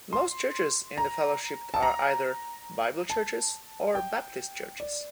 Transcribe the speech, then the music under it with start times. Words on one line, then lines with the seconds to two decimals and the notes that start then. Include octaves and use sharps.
Most churches in the fellowship are either "Bible Churches" or "Baptist Churches".
0.13 C6
0.98 A#5
1.74 A5
1.82 A#5
3.10 A5
3.95 G5
4.80 D5